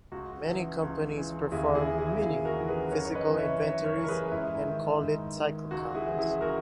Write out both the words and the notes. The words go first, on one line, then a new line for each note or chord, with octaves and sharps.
Many companies perform "mini" physical inventories and call it cycle counts.
C#2 F#4
C#3 E3
C#2
C#3 E3
D#2 E4 G#4
E4 G#4
C#3 E3
E4 G#4
D#2 E4 G#4
F#4 A#4
C#3 E3
G#4 B4
F#2 A#4 C#5
C#5
B4 D#5
C#3 E3
C#5 E5
F#2 C#5 E5
A#4 C#5
C#3 E3
A#4
G#4 B4
G#2 E4
E4
D#3
G#2
D#3
C#2 F#4
E4 G#4
C#3 E3
E4 G#4
F#4 A#4